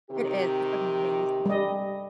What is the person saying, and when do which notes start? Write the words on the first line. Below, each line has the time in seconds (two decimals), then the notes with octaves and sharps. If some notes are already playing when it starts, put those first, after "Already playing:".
It is, it's amazing.
0.10 C3 D#3 G4
1.46 G3 D#5